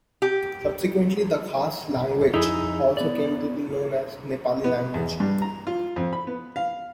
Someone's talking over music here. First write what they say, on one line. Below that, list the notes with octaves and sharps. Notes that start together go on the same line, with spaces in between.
Subsequently, the Khas language also came to be known as "Nepali language".
G4
F2 D#4 E4 G#4
B3 D5
B3
E2
G2
A#5
F4
F2
B5
B3
F5